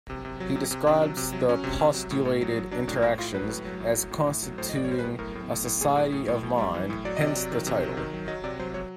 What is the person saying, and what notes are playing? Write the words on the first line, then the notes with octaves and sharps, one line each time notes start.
He describes the postulated interactions as constituting a "society of mind", hence the title.
C3
C3
F#3
C3
C3
C3 D4
F#3
C3
F#3
F#3 C#4
C3
C3
F#3
A2
A2
F#3
F#3
F#3 D4
A2 D4
A2 E4
A2 F4
F#3 B4
A2
F#3
A2
F#3
A2
A2
F#3
A2 C5
D#5
A2 D5
C#5
G3 C5
B4
A2
A2 A#4
A2
A2
A2
A2 G#4
A2
A2
A2
A2
G3
E3
A2
F#3 D5
C3 D#5
D5
F#3
D#3
C3
F#3
D#3
F#3
F#3 D#5
C3 D5
F#3 C5
F#3 C#5